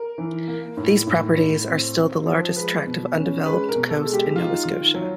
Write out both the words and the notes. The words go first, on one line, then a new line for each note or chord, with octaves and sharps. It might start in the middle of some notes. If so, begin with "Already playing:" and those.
These properties are still the largest tract of undeveloped coast in Nova Scotia.
Already playing: A#4
E3
A#3
A2
A2
A2
C4
C4
F3
G#3 B4
B2
C#4
G#3 B4
A#4
B2
A4
G#3
G4
D#4 F4
D#3
F#3